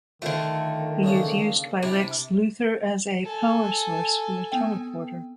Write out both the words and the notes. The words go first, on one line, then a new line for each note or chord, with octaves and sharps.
He is used by Lex Luthor as a power source for a teleporter.
D3 D#3 A3 F4
A#2 C#3 D4
C3 D4 E4
A4 G#5
B3 C4 G5